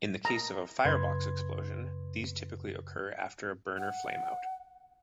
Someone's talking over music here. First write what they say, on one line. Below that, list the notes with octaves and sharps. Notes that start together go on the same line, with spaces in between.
In the case of a firebox explosion, these typically occur after a burner flameout.
A#5
F#2 C#3 B4 C6 G#6
F#5